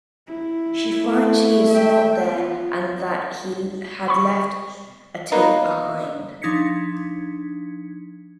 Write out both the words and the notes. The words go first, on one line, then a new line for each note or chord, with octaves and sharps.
She finds he is not there and that he had left a tape behind.
E4
A3
E5 G5
B3 F4
B5 C#6
A#3 B3 D#4
F3 D4 D#4 G#6 B6 C#7